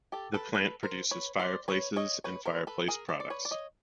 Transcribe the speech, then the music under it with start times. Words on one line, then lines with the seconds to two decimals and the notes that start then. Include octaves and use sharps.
The plant produces fireplaces and fireplace products.
0.12 G4 A4
0.34 A4 B4
0.55 A4 B4
0.83 A#4 C5
1.11 B4 C#5
1.39 C5 D5
1.68 B4 C#5
1.96 C#5 D#5
2.24 B4 C#5
2.45 A#4 C5
2.67 A4 B4
2.88 G#4 A#4
3.09 C5 D5
3.20 D5
3.30 B4 C#5
3.45 D5
3.51 C#5 D#5